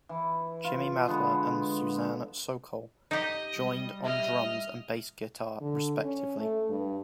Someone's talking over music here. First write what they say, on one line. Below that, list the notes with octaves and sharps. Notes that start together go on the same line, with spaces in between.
Jimmy Madla and Suzanne Sokol joined on drums and bass guitar respectively.
E3
F4
D3 G#3 B3
D#4 G4 D#5
G3
D#5 E5 F6
D3
C#4
A3
G2